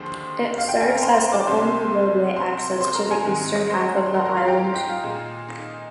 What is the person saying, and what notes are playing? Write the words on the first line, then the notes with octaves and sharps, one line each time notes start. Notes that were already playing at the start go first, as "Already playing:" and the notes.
It serves as the only roadway access to the eastern half of the island.
Already playing: D#2 D3 F3 G#3 C5 C6
F5
G5
G#5
A#5
C5 C6
C5 C6
D5 D6
C2 C3 G3 D4 C5 C6
C5 C6
C5 C6
A#4 A#5
G#4 G#5
G#2 D#3 G#3 C4
C5 C6
C6
A#4 A#5
A#4 A#5
F4 F5
G4 G5
D#4 D#5
F4 F5
A#2 G#3 D#4
D#4 D#5